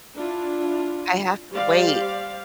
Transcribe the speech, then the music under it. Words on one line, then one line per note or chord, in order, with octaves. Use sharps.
"I have to wait
D4 E4 F4
G3 G4 C5 D5 F5